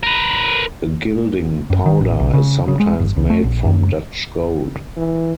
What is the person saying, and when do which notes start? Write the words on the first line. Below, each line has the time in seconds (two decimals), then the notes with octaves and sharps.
A gilding powder is sometimes made from Dutch gold.
0.03 A#4 B4
1.70 F#2
1.86 D#3
2.01 A1
2.20 B1
2.34 C#3
2.68 C#3
2.80 G#3
2.99 G1
3.16 C#2
3.30 A3
3.44 A#1
3.65 F#2
4.97 E3